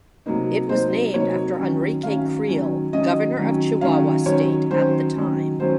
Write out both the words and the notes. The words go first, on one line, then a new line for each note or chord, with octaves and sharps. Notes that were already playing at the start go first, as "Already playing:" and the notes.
It was named after Enrique Creel governor of Chihuahua state at the time.
C3 F#3 A#3 D#4
C3 F#3 A#3 D#4 C5
C3 F#3 A#3 D#4 C#5
D#3 F#3 C#4
D#3 F#3 C#4 F5
D#3 F#3 C#4
D#3 F#3 C#4 D#5
D#3 F#3 C#4
D#3 F#3 C#4 F5
D#3 F#3 C#4 C#5
D#3 F#3 C#4 C5
D#3 F#3 C#4
D#3 F#3 C#4 C5